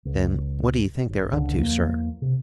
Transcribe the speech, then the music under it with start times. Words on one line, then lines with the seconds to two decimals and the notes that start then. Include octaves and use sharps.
"Then what do you think they're up to, sir?"
0.05 C#2
1.09 G1
1.32 C#2 D3
1.57 E2 F3 A3 A#3
2.22 C3